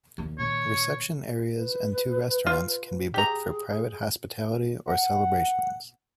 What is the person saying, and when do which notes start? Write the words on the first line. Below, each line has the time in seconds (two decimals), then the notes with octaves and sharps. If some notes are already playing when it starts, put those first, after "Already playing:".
Reception areas and two restaurants can be booked for private hospitality or celebrations.
0.18 D#2 D#3
0.39 A#2 D#3 C#5
1.58 B4
2.46 F4
3.14 G4 G#4 A#5
4.87 F#5